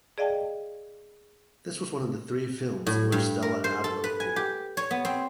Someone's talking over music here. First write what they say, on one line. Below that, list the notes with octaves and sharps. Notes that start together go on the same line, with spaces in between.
This was one of three films in which Stella Adler appeared.
G#4 D5 D#5 F5 G5 A5
A2
G2
A#4
C5
A4
B4
G#5
G4
C#5
B3
C4